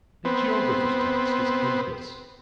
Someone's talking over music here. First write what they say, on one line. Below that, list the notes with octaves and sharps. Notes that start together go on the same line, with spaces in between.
The Geographer's task is endless.
B3 C4